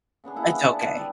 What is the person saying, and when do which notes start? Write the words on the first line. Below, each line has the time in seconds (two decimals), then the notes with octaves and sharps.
It's okay.
0.24 C#3 B3 D4 G#4
0.36 A#3 E4 F#5
0.48 B3
0.61 B4 D5 A5
0.85 G5
0.97 G3